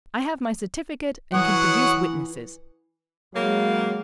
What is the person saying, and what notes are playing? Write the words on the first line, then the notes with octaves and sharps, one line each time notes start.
I have my certificate and can produce witnesses.
E3 F#3 C#5 F#5 D#6
C#3 F#3 G#3 A#3